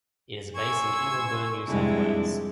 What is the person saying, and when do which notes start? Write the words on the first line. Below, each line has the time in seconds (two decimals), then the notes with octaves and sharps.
It is based in Ingleburn, New South Wales.
0.55 G#5 C6 C#6 E6 G#6
1.66 F2 C3 G3 G#3 D4 E4